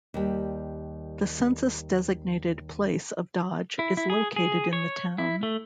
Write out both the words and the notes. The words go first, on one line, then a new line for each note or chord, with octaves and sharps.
The census-designated place of Dodge is located in the town.
D#2 G3
E4
E4
G#4
G#4
C#5
E4
A3